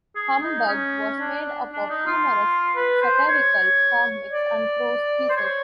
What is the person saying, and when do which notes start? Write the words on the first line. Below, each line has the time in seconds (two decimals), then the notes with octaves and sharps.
"Humbug" was made up of humorous, satirical comics and prose pieces.
0.16 G#4
0.42 D#4
0.67 C#4
1.20 D4
1.72 D4
1.90 D#4
2.07 F4
2.76 B4
3.01 C5
3.28 C#5
4.32 D5
5.30 C5
5.36 C#5